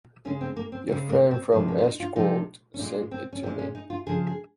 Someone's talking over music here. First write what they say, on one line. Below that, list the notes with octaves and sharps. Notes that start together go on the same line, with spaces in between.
Your friend from Estrigaud sent it to me.
C#3 G#3 C#4
C4
A#3
C4
C#3 G#3 C4
A#3
C4
C3 F3 G#3 D#4
C#4
F4
D#4
F4
C3 F3 G#3 D#4
C#4
A#2 G#3 D#4
C4
C#4
A#2 G#3 C4
C#4
D#4
F4
C#3 F3 G#3 G#4
G#4